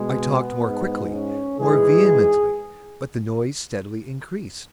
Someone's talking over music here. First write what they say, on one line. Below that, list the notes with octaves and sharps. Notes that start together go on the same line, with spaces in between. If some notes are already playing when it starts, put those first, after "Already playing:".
I talked more quickly--more vehemently; but the noise steadily increased.
Already playing: B2 G#3
B3
G#2 G#3
C#4
G#2 E3 G#3 G#4